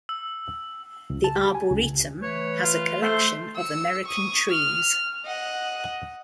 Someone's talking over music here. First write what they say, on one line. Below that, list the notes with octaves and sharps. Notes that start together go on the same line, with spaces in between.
The arboretum has a collection of American trees.
E6
C#2
A5
G4
G#5
C#2
E3 A3 B4 C#5
F4
A3 C5 C6
E6 C#7
C#6 D#6
F6
D#5 F#5